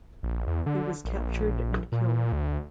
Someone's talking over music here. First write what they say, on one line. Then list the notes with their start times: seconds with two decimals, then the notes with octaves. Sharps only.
He was captured and killed.
0.23 A#1
0.47 E2
0.66 D3
1.05 A#1
1.92 A#2
2.32 D2